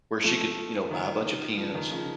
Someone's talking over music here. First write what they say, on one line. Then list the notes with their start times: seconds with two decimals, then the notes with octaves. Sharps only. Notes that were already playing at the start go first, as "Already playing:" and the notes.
where she could, you know, buy a bunch of pins.
0.24 F3 A3
0.91 D#3
1.25 D#3
1.57 C#3 F3
1.74 D#3
1.91 C#3 F3